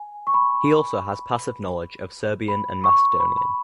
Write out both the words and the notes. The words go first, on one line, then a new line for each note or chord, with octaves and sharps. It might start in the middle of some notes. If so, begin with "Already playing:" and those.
He has also passive knowledge of Serbian and Macedonian.
Already playing: G#5
C#6
B5
B5
C#6
B5
B5